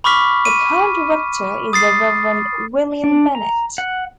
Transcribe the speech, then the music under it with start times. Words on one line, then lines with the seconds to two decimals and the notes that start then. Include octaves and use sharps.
The current Rector is the Reverend William Bennett.
0.04 B5 C#6 D6 F6 B6
0.45 D#7
1.73 D#6 A6 C7
3.04 D4
3.35 A#5
3.78 F#5